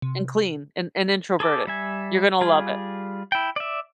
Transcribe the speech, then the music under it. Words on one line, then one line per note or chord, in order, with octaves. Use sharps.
and clean and and introverted, you're gonna love it.
C3
G#4 A4 D6
G3 E5 G#5
G3 F4 G#4
E4 G5
D5 E5